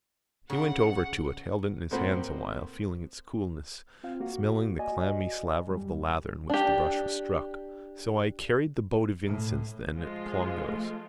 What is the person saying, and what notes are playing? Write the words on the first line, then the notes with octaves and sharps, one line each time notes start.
He went over to it, held it in his hands awhile, feeling its coolness, smelling the clammy slaver of the lather in which the brush was stuck. So I carried the boat of incense then at Clongowes.
C#3 F#5
A2 A#3 C4 C5 F#5 B5
C4 F4 F5
A#3 F#4
F#4 D5 D#5 G#5
F#2 G3
D4 G4
A2
F3 G#3 F4
A3